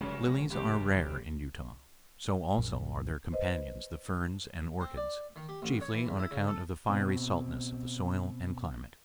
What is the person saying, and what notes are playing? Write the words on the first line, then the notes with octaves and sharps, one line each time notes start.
Lilies are rare in Utah; so also are their companions the ferns and orchids, chiefly on account of the fiery saltness of the soil and climate.
F1 C#3 F#3 G#3 C#4
D#2 G4
A#1 F#2 A#2
B4 C5 D#5
C4
D5
D#3
G4
A1
C#5
E3
E2
E4
C#3
A4
B2 C4